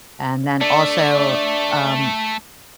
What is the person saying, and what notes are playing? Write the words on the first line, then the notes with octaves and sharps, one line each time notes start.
and then also, um,
A3 D4